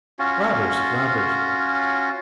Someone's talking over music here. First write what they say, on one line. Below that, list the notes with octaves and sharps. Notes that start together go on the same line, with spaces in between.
Robbers! robbers!'
C#4 F4 F#4